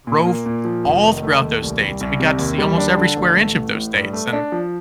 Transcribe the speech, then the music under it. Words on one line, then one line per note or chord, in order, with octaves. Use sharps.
drove all throughout those states, and we got to see almost every square inch of those states. And
A#2
A#3
A#2
F3
F1
D#3
A3
D#2
C2
G3
C2
C3
D#2
G3
D4
D3
A1
A3
A1
A2
G2
A3
D4
F3